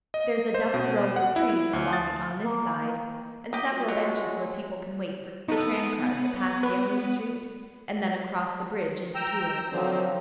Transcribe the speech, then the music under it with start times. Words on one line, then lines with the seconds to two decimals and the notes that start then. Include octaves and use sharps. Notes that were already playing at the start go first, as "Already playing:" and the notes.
There's a double row of trees along it on this side, and several benches where people can wait for the tram-cars that pass down this street and then across the bridge into Tours.
0.14 D#5
0.55 C5
0.74 B2
1.16 F#5
1.36 E4
1.73 D2
1.93 A6
2.44 A#3
3.53 G4 D#5
3.70 G3 F4 F#4
3.88 F#3 G#3
5.49 B3 D#4 A4
6.63 B4
9.15 G5 A#5 E6
9.71 D3 D#3 F3 F#3 C4